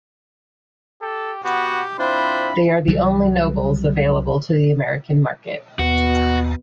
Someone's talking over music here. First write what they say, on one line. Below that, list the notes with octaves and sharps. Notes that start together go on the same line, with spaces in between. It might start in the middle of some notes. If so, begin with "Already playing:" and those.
They are the only Nobles available to the American market.
G4 A4
B3 F#4 G4
C4 D4 E4 F4 C5 B5
C2 E3 F#3 G3
D#2 B2 B3 F#4